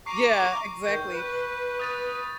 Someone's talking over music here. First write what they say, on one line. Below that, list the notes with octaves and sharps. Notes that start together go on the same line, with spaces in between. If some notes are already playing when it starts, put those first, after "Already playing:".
Yeah, exactly,
A#5 C#6 D6 C7
E2 D#3 G6
B4
D#6 A6 D#7